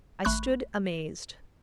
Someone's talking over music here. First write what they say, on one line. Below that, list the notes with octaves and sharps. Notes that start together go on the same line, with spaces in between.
I stood amazed.
G#1 A3 B5 C#6 F#6